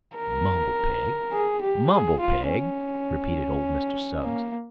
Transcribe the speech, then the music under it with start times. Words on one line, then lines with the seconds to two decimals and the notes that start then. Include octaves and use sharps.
"Mumble-peg! mumble-peg!" repeated old Mr. Suggs.
0.16 A#4
1.32 G#4
1.61 G4
1.90 G#4
2.20 F4
2.49 C#4
4.23 A#3